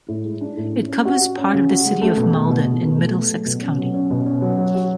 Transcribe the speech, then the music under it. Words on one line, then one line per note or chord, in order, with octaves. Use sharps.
It covers part of the city of Malden in Middlesex County.
A2
G#3
D4
A2
C#4
C#4
F#4
F#4
C#4
C#3
F#4
G#3
A3
B2
A3
B2
B2
B2
A3
A3
F#3
B2
C#4
F#3
C#4
B2
C#4
F#3
F#3
F#4